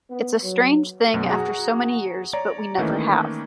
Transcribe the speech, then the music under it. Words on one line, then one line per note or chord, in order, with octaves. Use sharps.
It's a strange thing after so many years but we never have.
B3
F#3
F#2 B2
F#4 G#4 F#5 A#5
C#5 D5 A#5
D#3 E3 A3 A#3 C#4 D#4